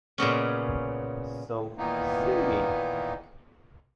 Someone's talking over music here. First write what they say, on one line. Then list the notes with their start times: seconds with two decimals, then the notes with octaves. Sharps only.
So sue me!
0.18 A#2 C#3 B3 C#4
1.78 A#2 D#3 E3 A#3 B3 D#4